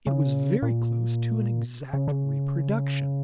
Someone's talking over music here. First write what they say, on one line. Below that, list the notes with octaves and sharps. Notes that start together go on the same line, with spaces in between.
It was very close to an exact reproduction.
C#3
A#2
C#3
D3
C#3